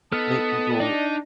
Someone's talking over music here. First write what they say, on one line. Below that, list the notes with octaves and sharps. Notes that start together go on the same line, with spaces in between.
make people
B3 D#4 A4 A5 D#6 F6
D4 D#4 D5 D#5